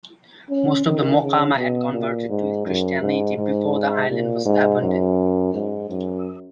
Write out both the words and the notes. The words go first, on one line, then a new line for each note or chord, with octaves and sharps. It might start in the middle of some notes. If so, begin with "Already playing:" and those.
Most of the Mocama had converted to Christianity before the island was abandoned.
C#4
D#3
C#3
B2
A#2
G#2
F#2
G#2
G#2
A#2
G#2
F#2
G#2
F#2